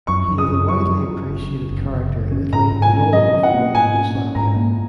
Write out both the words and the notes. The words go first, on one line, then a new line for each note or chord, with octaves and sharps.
He is a widely appreciated character in Italy and all over former Yugoslavia.
F#2 C#6
F#2
D#6
F#2
F#3 C#6
F#3
F#2
F#1
C#4
F#1
F#1
F#2
C#4
G#2 A#5
G#2
G#5
C#4
F#3 D#5
C#4
F#5
A#3
G#2 G#5
C#4
C#4
G#2 A#5
A#3